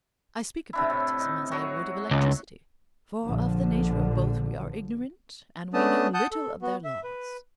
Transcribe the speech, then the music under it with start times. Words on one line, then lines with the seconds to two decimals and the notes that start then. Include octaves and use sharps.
I speak of hypnotism as I would of electricity, for of the nature of both we are ignorant and we know little of their laws.
0.73 C3 D4 E4
0.90 A2
1.19 D#4
1.51 F#3 F#4 C#5
2.11 C#2
3.22 A#1 D3 F3
5.74 A3 B3 C#4 D4 A5 D#6
6.14 F#5 A5 D#6 G6
6.32 A4
6.62 B3 F#4
6.84 E5
7.04 B4